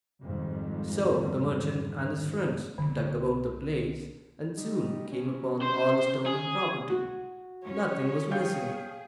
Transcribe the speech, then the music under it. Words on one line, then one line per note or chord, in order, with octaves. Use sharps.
So the merchant and his friends dug about the place, and soon came upon all the stolen property. Nothing was missing.
G#1 F2 G#2 D#3 G3
C2 D3 D#4
G3 D#4
C#4
C5
G#4
F#4
C#4 C#5
G3 G#4 F5 G5 G6